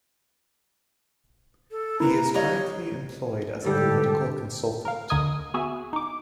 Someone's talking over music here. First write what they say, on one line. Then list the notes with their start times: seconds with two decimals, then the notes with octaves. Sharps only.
He is currently employed as a political consultant.
1.71 A4
2.00 A#3 E4 B4 A#5
2.35 G3 C#5 D#5 F5 A#5
3.65 G#2 D3 G3 G4 A4
4.85 A#4 F5
5.10 D2 D3 A#4 D#5 D#6 G#6
5.54 B3 F#4 G#4 E5 G#5
5.93 D#4 D6